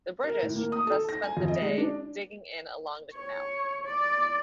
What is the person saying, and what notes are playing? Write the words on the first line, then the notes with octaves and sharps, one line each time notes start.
The British thus spent the day digging in along the canal.
A#4
A2
A#3
D#6
A4
A#6
G#5
F2
D#5
G#3
D4
C#5
D5